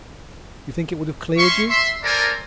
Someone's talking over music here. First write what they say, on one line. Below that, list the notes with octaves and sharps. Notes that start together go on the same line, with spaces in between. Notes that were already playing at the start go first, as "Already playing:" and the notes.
You think it would have cleared you.
C#4 E5 C6 C#6
E5 C6
A4 A#4 C5 D5 G#5 A#5